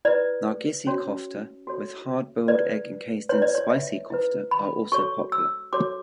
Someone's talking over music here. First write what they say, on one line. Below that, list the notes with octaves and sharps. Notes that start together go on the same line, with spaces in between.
Nargisi kofta with hard boiled egg encased in spicy kofta are also popular.
E4 B4 D5
C#4 F#4 C#5
F#4 A4 C#5
E4 B4 D5
E4 B4 C#5
D5
C#5
E5
E4 B4
B5
F#4 A4 C#5 C#6
E6
F#4 A4 C#5 D6